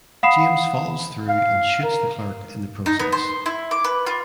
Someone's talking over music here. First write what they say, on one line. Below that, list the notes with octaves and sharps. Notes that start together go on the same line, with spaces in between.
James follows through and shoots the clerk in the process.
F5 F#5 B5 D#6 C7 E7
F5
A#4
D#4
B3
C5
E4
D6
B4
F4